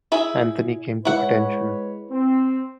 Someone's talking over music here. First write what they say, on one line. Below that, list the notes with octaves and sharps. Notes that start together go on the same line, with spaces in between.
Anthony came to attention.
E4 G#4 E5
G#3 E4 B4 C#5 F#5
C4